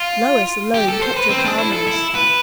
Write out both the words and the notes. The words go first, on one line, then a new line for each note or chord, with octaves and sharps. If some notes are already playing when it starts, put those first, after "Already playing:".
Lois alone kept her calmness.
Already playing: F4
G4
A4
C5
B4
C4
D4
E4
A4
E4
B4